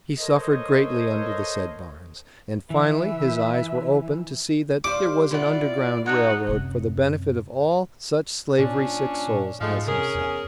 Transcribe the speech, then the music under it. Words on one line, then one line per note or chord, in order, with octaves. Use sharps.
He suffered greatly under the said Barnes, and finally his eyes were open to see that there was an Underground Rail Road for the benefit of all such slavery-sick souls as himself.
A4 A#4 C5 C#5 D#5
E3 B4 E5
G3 C5 F5 D6
E4 F4 D5 F#5
D#4 F#4 A4 C#5 F#5
F#2 C3
A#2 C#4 D4
G#2 F3 G#3 A3
C3 C#4 G#4 A#4
E2